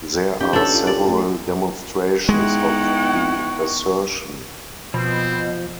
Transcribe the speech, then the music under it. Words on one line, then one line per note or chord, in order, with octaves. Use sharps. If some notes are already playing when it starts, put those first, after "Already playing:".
There are several demonstrations of the assertion.
C#4 D#4 G4
D4 F4 A4 B4 C#5
C#4 F4
G4 D5
A3
G#3 B3 D#4 E4 F#5 G5 C#6
B2 F3 C4